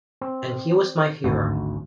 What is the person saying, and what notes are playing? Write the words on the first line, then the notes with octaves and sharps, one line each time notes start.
And he was my hero.
C4
G#1 D2 F#4